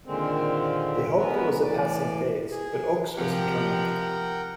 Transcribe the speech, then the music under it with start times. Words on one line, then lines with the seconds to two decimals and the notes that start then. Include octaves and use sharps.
They hoped it was a passing phase, but Ochs was determined.
0.05 A#2 D3 D#3 G#3 C4
1.18 G#3 B3 F#4 A#4 B4
1.63 A2 E3 D5
2.51 G#4
3.17 C3 F3 G4 A#4 F#5 G5